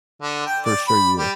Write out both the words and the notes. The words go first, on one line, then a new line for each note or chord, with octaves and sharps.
for sure you will.
D3
G5
D5
B5
G3